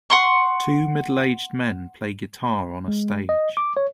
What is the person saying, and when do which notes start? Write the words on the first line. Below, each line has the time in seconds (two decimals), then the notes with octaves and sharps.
Two middleaged men play guitar on a stage.
0.10 F#5 C6 C#6
2.88 G#3
3.29 D#5
3.57 D6
3.77 C#5